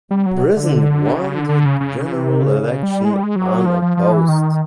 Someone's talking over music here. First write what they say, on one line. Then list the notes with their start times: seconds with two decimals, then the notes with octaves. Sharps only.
Brisson won the general election unopposed.
0.11 G3
0.26 F#3
0.57 D3
1.18 C#3
1.35 D3
1.49 D3
1.65 C#3
1.80 C#3
2.05 C#3
2.12 C3
2.42 C#3
2.63 C#3
2.83 G3
3.05 G#3
3.14 G3
3.23 G#3
3.36 F#3
3.66 F3
3.82 F3
3.97 F3
4.13 E3
4.29 D#3